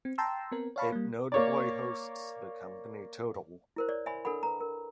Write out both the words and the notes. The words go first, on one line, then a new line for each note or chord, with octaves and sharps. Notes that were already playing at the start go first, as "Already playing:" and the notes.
It notably hosts the company Total.
C4
G5 A5 A#5 C6 E6
B3 C4 A#4
C#5 D5 F5 A5 B5 C#6
G3 A#3
A#3 C#5 D5
E4 A#4 C5
C#5 D5
C#5 E5 G#5 B5 C6
D4 A4 A#4 F#5 B5
B4 A#5
A#4